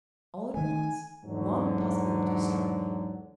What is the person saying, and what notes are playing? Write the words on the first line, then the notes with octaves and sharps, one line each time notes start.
All at once one possibility struck me.
D#3 A3 G#5
E2 G#2 D3 F#3